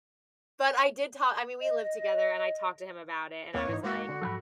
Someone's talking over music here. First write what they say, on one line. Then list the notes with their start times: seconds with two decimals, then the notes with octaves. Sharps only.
But I did talk I mean, we lived together and I talked to him about it and I was like,
1.60 D#5
3.54 D#2 A#3 C4 C#5
3.68 G#2 E3 D#4
3.83 G#3 A#3 F#4
4.09 D3
4.22 G#2 F3 F#3 A4 F#5 B5